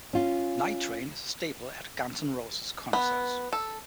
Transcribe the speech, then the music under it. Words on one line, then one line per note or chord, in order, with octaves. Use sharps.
"Nightrain" is a staple at Guns N' Roses concerts.
C#4 F4
B3
A4